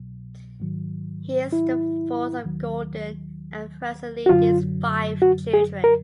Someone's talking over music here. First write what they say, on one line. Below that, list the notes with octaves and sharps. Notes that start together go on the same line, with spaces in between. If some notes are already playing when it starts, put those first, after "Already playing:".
He is the fourth of Gordon and Frances Liddy's five children.
Already playing: C2 B2 F#3
G#2 D#3 F#3
E4
D#2 D#3 F#3
F#4
F#2 D3 F#3 F4
F#4
G#4
A#4